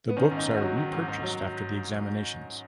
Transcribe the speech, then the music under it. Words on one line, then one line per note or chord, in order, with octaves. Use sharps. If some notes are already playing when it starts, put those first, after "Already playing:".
The books are repurchased after the examinations.
B3
D#3 C#4
G#2
D#4
G#2
F#4
F#3
D#3
G#2
G#2
F#3